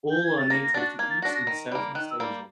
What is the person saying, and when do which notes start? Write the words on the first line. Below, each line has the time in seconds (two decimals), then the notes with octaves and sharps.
All are native to east and southeast Asia.
0.11 G6
0.24 G#6
0.38 A6
0.50 A#3 A#6
0.63 A#6
0.74 D4 F#4 A6
0.99 A#3 G#6
1.10 A6
1.22 D4 F#4 A#6
1.35 A#6
1.47 D#3
1.72 G3 A#3
1.95 D#3 F#6
2.11 E6
2.20 G3 A#3